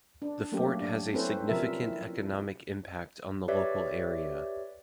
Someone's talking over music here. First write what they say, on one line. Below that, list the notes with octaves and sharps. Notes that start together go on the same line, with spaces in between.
The fort has a significant economic impact on the local area.
D4
F#3 A3 A#3 C#4 G4
D4
C4 C#4 E4 A4 B4 C5
C3 F3 G3 A#4 E5
E4
G4 B4 C#5 D5 E5